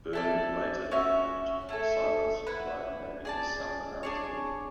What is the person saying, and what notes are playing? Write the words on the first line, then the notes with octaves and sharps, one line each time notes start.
Boon later acknowledged Simmons by naming his son after him.
E4 A4 D5
C#4 F#4 C#5 E5
A3 E4 A4
E4 B4 F#5
G#4 D5 A5
D4 G#4 C#5